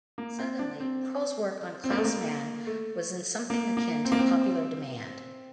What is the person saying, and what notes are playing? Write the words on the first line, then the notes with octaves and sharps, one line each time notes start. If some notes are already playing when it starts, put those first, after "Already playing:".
Suddenly, Kroll's work on Klaus Mann was in something akin to popular demand.
A#3
C4
D4
C4
C4
A#3
A3
A#3
A3
A#3
A#3
C4
A#3
C4